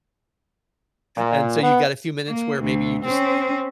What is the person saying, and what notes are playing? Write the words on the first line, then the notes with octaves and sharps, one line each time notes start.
And so, you got a few minutes where maybe you just
A#2
B3
A#3
D2
C4 C#4